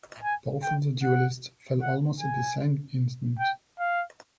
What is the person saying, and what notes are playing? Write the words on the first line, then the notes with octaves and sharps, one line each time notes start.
Both of the duelists fell almost at the same instant.
G#5
G5
F#5
F#5
G#5
G5
F5